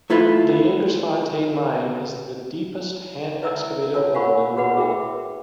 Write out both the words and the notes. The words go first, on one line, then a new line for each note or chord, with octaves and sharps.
The Jagersfontein Mine is the deepest hand-excavated hole in the world.
A3 E4 F4 B4
E4 B4 E5 A#5 E6
F4 C#5 A5 E6
A#4 F5 F#5 G#5 B5 C#6
F#4 G#4 B4 F#5 B5
G#4 A#4 E5 G5